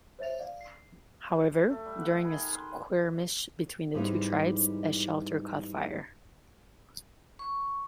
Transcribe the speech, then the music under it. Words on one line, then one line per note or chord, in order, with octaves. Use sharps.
However, during a skirmish between the two tribes, a shelter caught fire.
C5 C#5 E5 A6 F7
D5 F5
C7
A3
G3
F#5
G#4 B5
D#3
B5 C6
G#2 E3 G3 G#3 C4 D#4
C#6